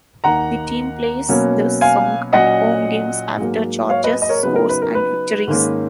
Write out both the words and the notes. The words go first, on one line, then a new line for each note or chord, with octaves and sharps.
The team plays this song at home games after Chargers scores and victories.
D#2 D#3 A#3 D#4 F#5 A#5
B2 F#3 A#3 C#4
F5 G#5
A#2 F#3 C#4 D#5 F#5
G#2 F#3 A#3
C#5 F5
B4 D#5
D#5
A#4 C#5
C#3 F#3 B3 D#4 B4
A#4
B4
A#4
B4
G#2 D#3 A#3 C#4